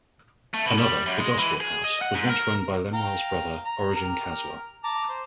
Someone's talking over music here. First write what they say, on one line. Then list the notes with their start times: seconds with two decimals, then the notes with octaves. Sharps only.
Another, the Gosport House, was once run by Lemuel's brother Origen Caswell.
0.54 A3
0.66 B2
0.78 G3
1.06 F#2
1.20 G#3
1.38 E3
1.60 G#4
1.84 D#5
2.02 F#5
2.15 G#2
2.30 A#4
2.93 F5 G5 A#5
3.65 A#5
3.96 G4 A#4
4.84 A5 A#5 D6
5.09 C5